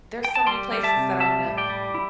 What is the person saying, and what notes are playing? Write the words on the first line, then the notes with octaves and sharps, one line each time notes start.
there's so many places that I wanna
G5
A5
G3 G5 C6
G3
E5 A5
C3
G3 E5 A5
A2
D5 G5
G3
E4